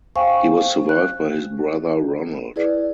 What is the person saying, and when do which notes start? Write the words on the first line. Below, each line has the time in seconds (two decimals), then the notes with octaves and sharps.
He was survived by his brother Ronald.
0.16 C5 F5 G5 G#5 C#6
0.89 F#6
2.56 E4 G#4 B4 D5